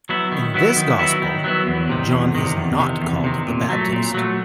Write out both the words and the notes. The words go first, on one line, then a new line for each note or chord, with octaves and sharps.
In this gospel, John is not called the Baptist.
F#3 B3 E4
D#3
F#3 B3 E4
D#3
F#3 B3 E4
D#3
F#3 B3 E4
E2
C3 D#3
E2
C3 D#3
E2
C3 D#3
E2
C3 D#3
A#2
F#3 A3
A#2
F#3 A3